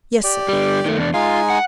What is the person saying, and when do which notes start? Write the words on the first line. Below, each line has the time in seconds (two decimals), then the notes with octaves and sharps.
"Yes, sir."
0.24 G4 D5
0.49 D3 G3
0.86 D#3 A3
0.97 E2 D4
1.14 G#3 D#4 F4 G#5
1.50 F#5